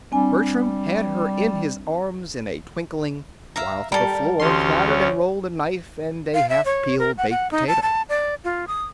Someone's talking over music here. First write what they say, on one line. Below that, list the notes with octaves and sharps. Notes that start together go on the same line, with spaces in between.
Bertram had her in his arms in a twinkling, while to the floor clattered and rolled a knife and a half-peeled baked potato.
G3 C4 D4 G#5
E5 F5 A#5
G3 A4 A#4
D2 E3 C#4 G4 C6
C#5
F5
E5
C#5
A#4
F#5
F#5
D#4
A5
A5
D5
F4
D#6